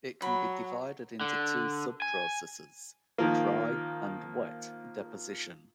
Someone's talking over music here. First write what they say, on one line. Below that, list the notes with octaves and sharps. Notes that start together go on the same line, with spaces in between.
It can be divided into two sub-processes: "dry" and "wet" deposition.
F#3 B5
D3
G#5
D#3 F3 A#3